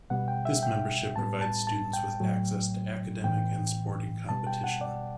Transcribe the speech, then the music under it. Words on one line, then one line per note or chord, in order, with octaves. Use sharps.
This membership provides students with access to academic and sporting competition.
B2 G3 B3 F#5
G5
E5
G5
A2 G3 B3 A5
A5
A5
G5
A2 F#3 A3
A2 E3 B3 G5
B2 G3 B3 A5
G5
F#5
D5